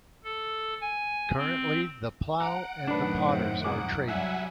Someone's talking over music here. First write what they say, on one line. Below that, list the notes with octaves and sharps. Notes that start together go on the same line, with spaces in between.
Currently The Plough and The Potters are trading.
A4
G#5
C4
F#5 A#5 D7
F#2 A2 D#3 D4 B4
C4
C2 G#4 D6
F#3 G3 E5 F#5 G#5